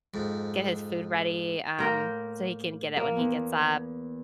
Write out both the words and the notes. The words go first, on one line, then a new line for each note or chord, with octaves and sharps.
get his food ready, um, so he can get it when he gets up
F2 G#2
A2 A#3 A#4 G5 C6 G6
A#3
E2 B3